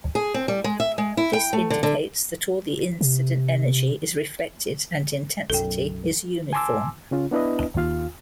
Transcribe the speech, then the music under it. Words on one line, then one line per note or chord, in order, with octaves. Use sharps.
This indicates that all the incident energy is reflected and intensity is uniform.
G#4
C4
G3
G#3
E5
G#3
E4
G5
A3
D3
D3
C3
B1 F#2 A4 G5
G#5 A5 C6 D6 E6
C#3 C#4 F4
B3 D4 E4 B4 D#5
D#2 F4 F5